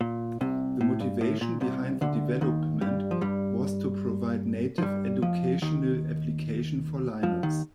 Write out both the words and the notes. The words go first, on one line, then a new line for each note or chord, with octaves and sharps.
The motivation behind the development was to provide native educational application for Linux.
A#2
C2 C3
A2
G2
A2
A#2
C2 C3
D2 D3
D#2 D#3
G2 G3
F3
G2 G3
F3
G2 G3
F2 F3
D#2 D#3
F2 F3
D#2 D#3